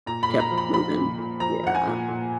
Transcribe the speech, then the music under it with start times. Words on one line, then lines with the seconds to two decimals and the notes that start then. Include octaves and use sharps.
kept moving. Yeah.
0.06 A#2 A#5
0.23 B5
0.29 A#2
0.40 A#5
0.51 F3
0.58 B5
0.73 F3 B5
0.95 A#2
1.18 A#2
1.40 F3 A#5
1.63 F3 F#5
1.75 G#5
1.86 A#2
2.08 A#2